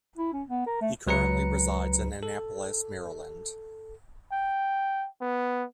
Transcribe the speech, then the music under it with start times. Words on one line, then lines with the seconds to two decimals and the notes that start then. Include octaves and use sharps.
He currently resides in Annapolis, Maryland.
0.17 E4
0.33 C#4
0.49 B3
0.67 A#4
0.81 A3
1.07 C#2 F#3 B4 A#5 C#7
2.23 A4
4.32 G5
5.21 B3